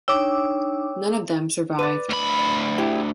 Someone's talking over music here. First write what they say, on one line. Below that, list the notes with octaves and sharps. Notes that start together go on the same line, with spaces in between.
None of them survived.
D4 D#4 C#5 G5 D6 E6
B4 D5
D2 B5
E4 G4